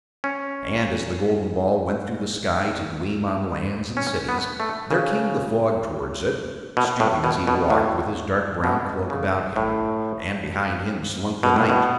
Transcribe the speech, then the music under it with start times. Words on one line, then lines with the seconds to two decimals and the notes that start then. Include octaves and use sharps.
And as the golden ball went through the sky to gleam on lands and cities, there came the Fog towards it, stooping as he walked with his dark brown cloak about him, and behind him slunk the Night.
0.24 C#4
3.97 C#4
4.29 B3
4.60 A3
4.91 C#3
6.77 B2
7.00 A2
7.24 B2
7.47 B2
7.70 A2
8.64 B2
9.10 C#3
9.56 A2
11.43 B2
11.56 A2
11.69 B2